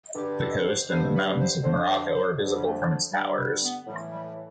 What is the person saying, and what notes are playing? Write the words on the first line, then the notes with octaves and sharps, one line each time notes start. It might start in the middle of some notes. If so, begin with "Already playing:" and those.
The coast and mountains of Morocco are visible from its towers.
G2 D3 G4
A4
C5
G2 D3 C5
B4
C5
F2 D3 C5
C5
C5
F2 D3
G3
A3
F3
G2 D3 G3
G3
B3
A2 E3 G3
G3